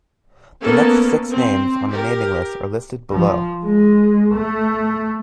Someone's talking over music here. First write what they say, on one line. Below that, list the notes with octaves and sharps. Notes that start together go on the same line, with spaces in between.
The next six names on the naming list are listed below.
A#3 B3 C#4 A4 A#4
C4
G4 A#4
F3
G#3
A3